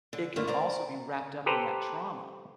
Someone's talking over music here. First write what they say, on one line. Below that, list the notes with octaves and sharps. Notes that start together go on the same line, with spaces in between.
it can also be wrapped up in that trauma.
D3
G2 A3 A#3 F4
C5 D5 A#5
G4 A4 B4 C5 A#5